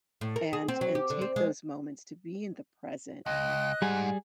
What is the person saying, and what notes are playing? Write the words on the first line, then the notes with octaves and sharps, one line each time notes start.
and and take those moments to be in the present,
A2
A#4
G#4
C4
F#3
G4
D3
C4
G#3
C#2 D#5 F#6
G#2 G3 G#4